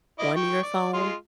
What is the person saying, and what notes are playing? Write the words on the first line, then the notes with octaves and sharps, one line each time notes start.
on your phone,
E4 D#5 D6
G5 C#6
D5
G#3 F4